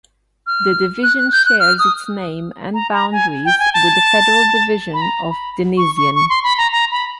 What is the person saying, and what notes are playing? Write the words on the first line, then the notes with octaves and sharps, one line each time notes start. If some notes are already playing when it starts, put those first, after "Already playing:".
The division shares its name and boundaries with the federal division of Denision.
F6
F#6
F#6
G6
F#6
F6
D#6
A#5
A#5
G#5
G5
G#5
A5
B5
A#5
B5
C#6
C#6
C#6
C6
B5
A#5
A#5
B5